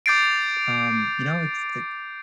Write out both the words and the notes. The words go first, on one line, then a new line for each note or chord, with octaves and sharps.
um, you know, it's it
D6 G6 A6 C7 D7